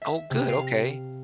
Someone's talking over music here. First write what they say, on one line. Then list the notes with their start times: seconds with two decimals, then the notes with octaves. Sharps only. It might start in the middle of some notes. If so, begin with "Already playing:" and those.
Oh, good. Okay.
0.02 E5
0.30 C3
0.49 F5